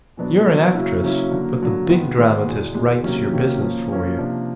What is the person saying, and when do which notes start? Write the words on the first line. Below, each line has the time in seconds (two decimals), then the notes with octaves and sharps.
You're an actress, but the Big Dramatist writes your business for you.
0.17 B2 F#3 B3 D4
0.46 B2 F#3 B3 D4
0.75 C#3 F#3 A#3 C#4 E4
1.03 C#3 F#3 A#3 C#4 E4
1.31 D3 F#3 A#3
1.60 D3 F#3 A#3
1.89 G#2 D#3 G#3 B3
2.17 G#2 D#3 G#3 B3
2.46 E2 B2 G#3
2.75 E2 B2 G#3
3.04 C3 D#3 F#3 A#3 C#4
3.31 C3 D#3 F#3 A#3 C#4
3.61 F3 A#3 C#4
3.89 F3 A#3 C#4
4.17 C3 F3 A#3 D4